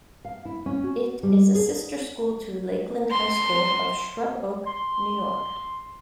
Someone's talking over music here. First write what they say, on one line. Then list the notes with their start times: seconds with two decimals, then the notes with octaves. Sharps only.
It is a sister school to Lakeland High School of Shrub Oak, New York.
0.25 F5
0.45 E4
0.66 C#4
0.84 F#4
1.23 G3
1.55 G#4
3.10 C6
4.67 C6